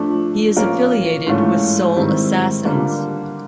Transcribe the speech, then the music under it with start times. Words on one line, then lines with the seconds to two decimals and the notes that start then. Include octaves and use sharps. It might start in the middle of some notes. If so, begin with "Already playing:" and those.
He is affiliated with Soul Assassins.
Already playing: F3 A3 D4
0.56 F3 A#3 C#4 F4 A#4
1.27 G#2 E3 A3 C#4 F4
1.96 G#2 D#3 G3 C4 E4
2.65 D3 G3 A#3 D4 F4